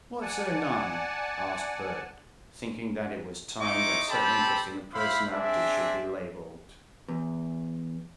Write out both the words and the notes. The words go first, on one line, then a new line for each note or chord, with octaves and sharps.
"Wot's 'er nime?" asked Bert, thinking that it was time that so interesting a personality should be labelled.
D5 F#5 G#5 A5
C4 D#4 E4 D#5 C#6 D6
C4 G4 A4 G5 A5 B5
E4 C5 F5 B5
C4 D4 G#4 E5
E2